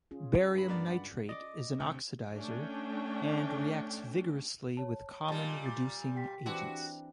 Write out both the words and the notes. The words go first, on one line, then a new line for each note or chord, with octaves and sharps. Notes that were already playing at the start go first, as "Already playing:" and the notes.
Barium nitrate is an oxidizer and reacts vigorously with common reducing agents.
C#4 F4 G#4
G2 B5
A#3 B3 D5
D5 F#5
D5 D#5 D6
D2 A2 C3 C4
A3 C#4 D4 G5
C#5 A5
A#2 G3 F4 D#5 A5
D6 A6 C7
G4 G5 B6
E3 C4 D4 F#4